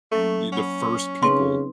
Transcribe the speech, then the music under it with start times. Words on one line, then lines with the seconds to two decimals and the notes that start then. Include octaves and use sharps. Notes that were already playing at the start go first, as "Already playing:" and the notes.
e the first people
0.12 F#3 A3 A#3 C#4
0.52 C#4 F#5 B5
1.23 C#3 C4 D#4 B4 C6